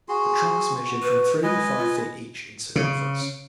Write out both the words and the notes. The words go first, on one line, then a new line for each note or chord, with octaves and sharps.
The trunks measured from three to five feet each in circumference.
F#4 G#4 C6
F#4
B4
G#3 B4 D#5 G#5
F4
C#3